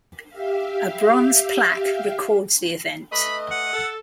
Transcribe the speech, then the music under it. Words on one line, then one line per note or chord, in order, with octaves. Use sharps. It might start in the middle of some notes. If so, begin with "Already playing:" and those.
A bronze plaque records the event.
G4 E5 F5
A3 B4 D#5 B5
F#5
A4